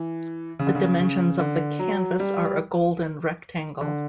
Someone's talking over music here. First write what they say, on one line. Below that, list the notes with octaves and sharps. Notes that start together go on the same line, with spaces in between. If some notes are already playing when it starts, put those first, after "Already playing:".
The dimensions of the canvas are a golden rectangle.
Already playing: E3
C#3
D3
C#3
C#3
D3
F#3
G3
D3